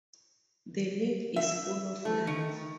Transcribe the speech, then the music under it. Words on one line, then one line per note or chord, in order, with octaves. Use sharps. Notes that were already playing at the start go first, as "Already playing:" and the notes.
The lake is full of life.
E5
A3
D#3